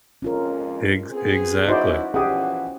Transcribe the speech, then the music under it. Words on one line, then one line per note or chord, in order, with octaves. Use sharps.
Ex exactly.
F2 G#3 C#4 F4 A#4
B3 C4 G#4
F#3 C#4 D#4 E4 F#4 B4 C5 D5
B2 E3 F3 C#4 G4 G#4 F#5 D#6